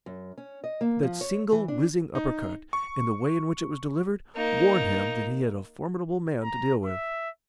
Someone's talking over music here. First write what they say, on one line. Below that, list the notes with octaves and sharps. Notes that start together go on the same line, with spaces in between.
That single whizzing uppercut, and the way in which it was delivered, warned him that he had a formidable man to deal with.
F#2
C#4
D#5
A#3
F3
C#5
E3
D4
D#4
C#6
A#3 D#4
A#5
E5